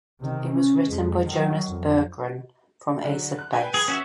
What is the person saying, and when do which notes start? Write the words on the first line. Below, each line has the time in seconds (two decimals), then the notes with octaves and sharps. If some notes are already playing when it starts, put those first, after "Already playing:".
It was written by Jonas Berggren from Ace of Base.
0.20 C3 D#3
0.50 C#4
0.88 F2 G#3
1.29 D#3 F#3
1.68 F2
3.04 D3 F#3
3.39 F#6
3.53 B4 G5 G#5
3.74 G#4
3.88 C#4 F#4 E5